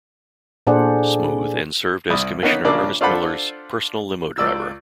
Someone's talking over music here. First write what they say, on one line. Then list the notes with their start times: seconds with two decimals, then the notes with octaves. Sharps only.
Smooth and served as Commissioner Ernest Miller's personal limo driver.
0.67 A#2 D4 G#4 A4 C5 F#5
2.10 C2 D5 B5 D#6
2.42 A#3 B3 C#4 D#4
2.64 A#1 C#3 A#3 C#4 D4
3.01 D4 F4 A4 C5 F#5 B5
4.38 C#2 D5 E6